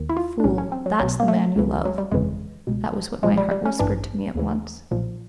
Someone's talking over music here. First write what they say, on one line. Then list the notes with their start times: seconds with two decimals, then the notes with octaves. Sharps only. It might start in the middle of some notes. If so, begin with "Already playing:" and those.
'Fool! that's the man you love!' That was what my heart whispered to me at once.
Already playing: D#2 D#3
0.09 E4
0.17 F4
0.40 D4
0.44 B1 A2 E3 C#4
0.58 C#4
0.72 C4
0.86 F#3
1.00 B1 B2 F#3
1.20 A#3
1.28 A3
1.56 C#2 C#3 E3
1.85 F#3
1.98 G3
2.12 G1 F2 C#3 E3 G#3
2.67 C#2 B2
3.23 B1 A#2 F3 G#3
3.37 G3
3.51 G3
3.65 C#4
3.79 A1 G2 E3 D4
4.35 D#2 C#3 E3
4.91 B1 A#2 F3